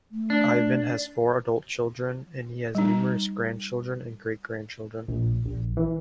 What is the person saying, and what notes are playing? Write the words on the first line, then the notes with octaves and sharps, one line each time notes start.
Ivan has four adult children and he has numerous grandchildren and great grandchildren.
A3
D4
G3 D#4
A#1
A#1
E3